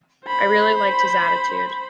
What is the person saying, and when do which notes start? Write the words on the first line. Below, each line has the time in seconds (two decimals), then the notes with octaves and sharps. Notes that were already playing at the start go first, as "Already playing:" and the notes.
I really liked his attitude.
0.25 C5 B5